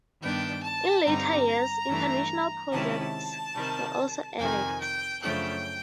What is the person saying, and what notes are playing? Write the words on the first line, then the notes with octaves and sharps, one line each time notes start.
In later years, international projects were also added.
G2 D#3 G3 B3 D4 G5
A5
G2 D3 G3 C4 D#4 A#5
G2 E3 A3 D4
C3 D#3 G#3 C#4 E4 A5
C3 D#3 G3
F2 C3 D#3 G#5
G5
F#2 C#3 F3 A3 D4 G5